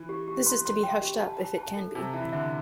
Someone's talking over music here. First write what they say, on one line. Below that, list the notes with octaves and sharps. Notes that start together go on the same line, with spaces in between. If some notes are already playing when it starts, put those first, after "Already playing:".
This is to be hushed up if it can be.
Already playing: E3
G4
G4
C6
C6
G5
G4
A5
A5
A5
A4
C3 A5
E3 E5
D3 E5